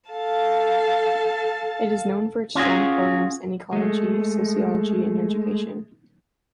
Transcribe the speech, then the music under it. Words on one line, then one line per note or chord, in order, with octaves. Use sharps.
It is known for its strong programs in ecology, sociology and education.
A4 F5 A5
C#4 F4 F#4 G#4
G#3 A3